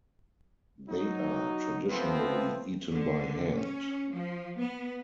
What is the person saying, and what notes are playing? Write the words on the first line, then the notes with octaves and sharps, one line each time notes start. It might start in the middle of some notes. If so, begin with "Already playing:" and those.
They are traditionally eaten by hand.
F#3 D#4
F3 A3 B3 C4
D3
C#4
F3
B3